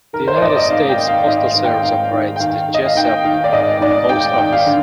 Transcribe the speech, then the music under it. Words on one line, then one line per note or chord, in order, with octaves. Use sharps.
The United States Postal Service operates the Jesup Post Office.
D#3 A#4
C5
D5
G#2 D#5
D5
D#5
G#2 F5
G5
D#3
F5
G#2 D#5
F5
D#3
G5
G#2 F5
D#3
G5
D#3 F5
D#3
D#5
F5
D#3 G5
D#3 F5
D5
G#2 D#5
G#2 D5
G#2 G5
D#3 G5
F5
D3